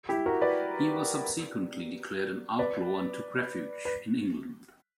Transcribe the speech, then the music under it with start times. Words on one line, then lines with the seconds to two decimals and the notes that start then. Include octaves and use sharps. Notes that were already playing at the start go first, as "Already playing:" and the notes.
He was subsequently declared an outlaw and took refuge in England.
0.09 E4 G4
0.26 F#4 A#4
0.42 B4 D5
2.59 B4 D5
3.85 B4